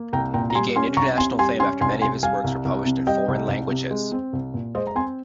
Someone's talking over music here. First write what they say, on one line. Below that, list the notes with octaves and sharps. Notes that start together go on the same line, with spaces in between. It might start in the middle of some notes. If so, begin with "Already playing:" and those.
He gained international fame after many of his works were published in foreign languages.
Already playing: A#3
C2 G5 A#5
A#2 G5 A#5
A#5
G3 G#5 C6
C#4 G#5 C6
C2 A#5 C#6
C3 G#5 C6
G3 G#5 C6
C#4 G#5 C6
C2 G#5 C6
C3 G#5 C6
G3 F5 G#5
C2
C2
C3
G3 D#5 G5
C2
C2
C3
G#3
C4
C2
A#2
G#3 C5 D#5
A#5
C4 G#5 C6